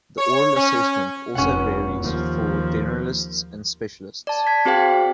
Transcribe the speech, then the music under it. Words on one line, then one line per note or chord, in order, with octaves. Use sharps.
The oral assessment also varies for Generalists and Specialists.
C#5
C#4
F1 C#4 F#5
D#2 F3
D5 A5
G#6 B6
C4 F#4 G#4 C5 F5 G5